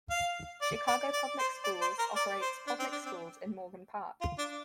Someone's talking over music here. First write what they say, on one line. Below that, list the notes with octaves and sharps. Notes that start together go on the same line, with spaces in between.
Chicago Public Schools operates public schools in Morgan Park.
F5
D5
D5
D5
C5
D5
C5
A#4
D5
C5
D4
C4
D4
C4
F4
D4